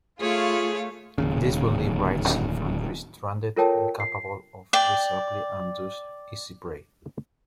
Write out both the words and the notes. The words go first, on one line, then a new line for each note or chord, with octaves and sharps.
This would leave Wright's infantry stranded, incapable of resupply and thus easy prey.
A3 F4 G#4 C#5 F5
D1 D#2 C#3
F4 A4 A#4 C#5 G5 A5
C7
D5 G5